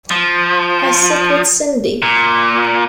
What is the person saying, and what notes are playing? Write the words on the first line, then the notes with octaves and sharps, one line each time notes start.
I sit with Cindy.
F3
A#2